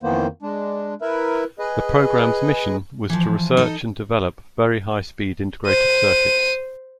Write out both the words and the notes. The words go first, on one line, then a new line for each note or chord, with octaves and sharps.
The program's mission was to research and develop very high speed integrated circuits.
F2 D#3 E3 A#3 B3 C5
G#3 D4
E4 A#4 B4 E5
G#4 B4 D#5
E3 F3
D#4 A4 D#5
C5 D#7